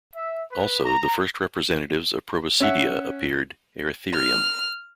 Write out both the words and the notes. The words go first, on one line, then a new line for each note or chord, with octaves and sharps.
Also, the first representatives of Proboscidea appeared, "Eritherium".
E5
B4
A#5
C#4 E5 F#5
F6